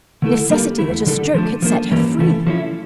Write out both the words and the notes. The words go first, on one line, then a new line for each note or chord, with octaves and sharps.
Necessity at a stroke had set her free.
D3 A3 E4 A4
G3 A#3 D4 G4 D5
E2 D3 A3 E4
D3 G3 D4 A4 D5
F3 A3 D4
F3 A#3 D4
G2 E3 A#3 C#4
C#3 E3 A3
F3 C#4 E4